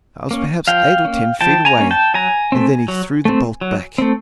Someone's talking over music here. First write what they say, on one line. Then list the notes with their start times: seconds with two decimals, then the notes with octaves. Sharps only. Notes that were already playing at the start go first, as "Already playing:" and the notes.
I was perhaps eight or ten feet away--and then he threw the bolt back.
0.31 A#3 C#4
0.68 F3 F5 G5
1.05 A#3 C#4
1.41 F3 G5 A5
1.65 G#5 A#5
1.78 A#3 C#4
1.91 G5 A5
2.14 F#3 G#5 A#5
2.52 A3 C4
2.88 F#3
3.25 A3 C4
3.61 F#3
3.98 A3 C4